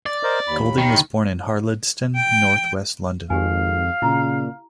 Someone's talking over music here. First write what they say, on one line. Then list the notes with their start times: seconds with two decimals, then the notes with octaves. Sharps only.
Golding was born in Harlesden, North West London.
0.06 D5
0.23 A#4 C5 D#5
0.48 D#2 B5
0.78 D#3
2.16 G5
3.30 G#1 F2 G4 F5 G#5
4.02 A#2 C#3 E4 A#5